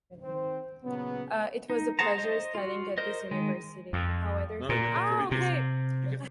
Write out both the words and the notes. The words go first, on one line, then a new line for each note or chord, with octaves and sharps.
However, things don't go as planned at the ball.
D#3 C4 C5
A#2 C#3 F#3 B3
D#4
G#4 C5 F#5 A5 A#5
C5 D#5
F4 F#4
A#4 C5 D#5
D#3 G#3
F2
A#2
C3